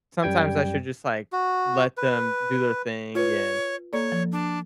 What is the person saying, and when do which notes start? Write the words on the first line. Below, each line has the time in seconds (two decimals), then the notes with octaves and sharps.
sometimes I should just, like, let them do their thing, and,
0.23 F#2 G3 G5 G#6
1.33 F#4
1.97 B4
3.15 F4 B4 C#5
3.93 A#3 A4 C#5 D5
4.12 F3
4.32 D4